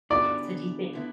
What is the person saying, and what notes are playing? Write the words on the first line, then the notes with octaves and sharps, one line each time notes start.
So, do you think
D3 B3 E4 G4 D5
D3 B3 E4